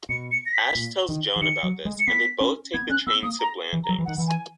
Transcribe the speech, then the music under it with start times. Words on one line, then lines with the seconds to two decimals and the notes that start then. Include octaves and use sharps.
Ashe tells Joan about this, and they both take the train to Blandings.
0.09 B2 C#7
0.31 C#7
0.46 A#6
0.53 B6
0.75 A#2
1.09 D#3
1.36 E3
1.42 D#3 C#7
1.63 F#3
1.85 G#3
1.99 C#7
2.07 B3 B6
2.41 C#4
2.74 B3 G#6
2.90 C#4 F#6
3.07 B3 E6
3.23 A#3 D#6
3.39 A#5
3.73 E3
3.84 A#5
3.89 F#3
3.98 E3
4.05 D#3 F#5
4.18 E3
4.28 G#5